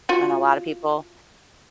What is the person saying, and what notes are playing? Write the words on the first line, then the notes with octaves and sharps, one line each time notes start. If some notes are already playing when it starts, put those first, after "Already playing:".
And a lot of people
F4 F#4